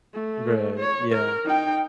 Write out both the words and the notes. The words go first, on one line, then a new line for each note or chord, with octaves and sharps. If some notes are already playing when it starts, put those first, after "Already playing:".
Right, yeah.
A3
C#5
A#4
D#4 G5